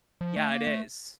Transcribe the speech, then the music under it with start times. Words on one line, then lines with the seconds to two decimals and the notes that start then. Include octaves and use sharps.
Yeah, it is.
0.21 F3
0.36 A3
0.52 A#3
0.67 A3